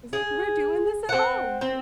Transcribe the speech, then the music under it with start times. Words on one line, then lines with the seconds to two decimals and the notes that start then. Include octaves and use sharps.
he was like "We're doing this at home."
0.13 G#4
1.09 C4 F#5
1.61 C4